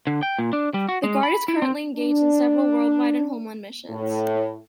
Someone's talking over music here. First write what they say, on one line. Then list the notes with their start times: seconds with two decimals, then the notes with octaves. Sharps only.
The Guard is currently engaged in several worldwide and homeland missions.
0.07 D3
0.23 G5
0.39 A#2
0.53 D4
0.74 G3
0.89 F#4
1.04 G#3
1.23 B5
1.48 E4
1.62 C4
1.96 D4
3.90 A2